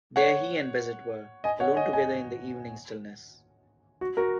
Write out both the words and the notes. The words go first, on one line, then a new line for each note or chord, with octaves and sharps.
There he and Bassett were, alone together in the evening stillness.
C#5 F#5
D#5 G#5
C#5 F#5
D#5 G#5
D#5 G#5
F#4
F#4 A#4